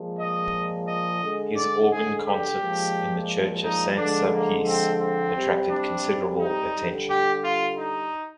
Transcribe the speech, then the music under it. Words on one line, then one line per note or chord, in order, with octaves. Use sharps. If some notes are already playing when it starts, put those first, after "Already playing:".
His organ concerts in the church of Saint Sulpice attracted considerable attention.
Already playing: A#2 F3 G#3
D#5
D#5
D3 G#3
D5
G#4
G4
A#2 F3 G#3
D#4
D3 F3 G#3 D4
A#3
C4
C4
C3 G3
D4
D#4
D3 G3
G4
F4
D#4